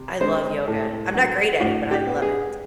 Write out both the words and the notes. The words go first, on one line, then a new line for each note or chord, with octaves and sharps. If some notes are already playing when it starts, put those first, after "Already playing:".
I love yoga. I'm not great at it, but I love it.
Already playing: C3
G#3 C5
A2 A4
F#3
A2 F#4
G4
B3
G#4